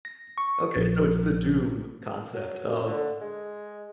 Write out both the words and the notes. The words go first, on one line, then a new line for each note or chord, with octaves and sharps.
Okay, so it's the doom concept of,
A#6
C#6
A#1
F#3
F#2
D3
G#3